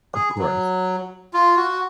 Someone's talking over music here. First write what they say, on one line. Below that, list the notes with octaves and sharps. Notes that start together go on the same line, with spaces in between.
Of course.
G#4
F#3
F4
F#4